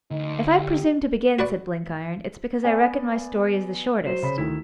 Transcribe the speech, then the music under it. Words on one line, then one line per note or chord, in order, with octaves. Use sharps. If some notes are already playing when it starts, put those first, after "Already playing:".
'If I presume to begin,' said Blenkiron, 'it's because I reckon my story is the shortest.
D2 D#4
G4
F#4 B4 D5 F#5
B3 D5 G#5
F#3 C5
C#3 B5 B6
D2 D#3 E4 B6